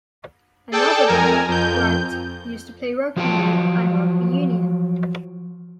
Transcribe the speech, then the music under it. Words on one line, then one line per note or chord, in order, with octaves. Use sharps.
Another brother, Bright, used to play rugby league and rugby union.
G#4 A4 D5 G5 A5
F2 A#4 G#5 A#5
F2 G6
F3 F#3 F4 B4 G5 A5